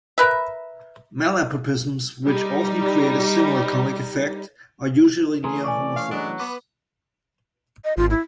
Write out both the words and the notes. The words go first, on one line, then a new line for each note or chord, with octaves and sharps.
Malapropisms, which often create a similar comic effect, are usually near-homophones.
A#4 B4 E5
G3 D#4
E3 A3 C#4 G#4 A#5 C6
D5 G#5 C#6
C#5 F5
F#3 G#3 D4
B3 B4 D6
D#5
G#1 F4
E4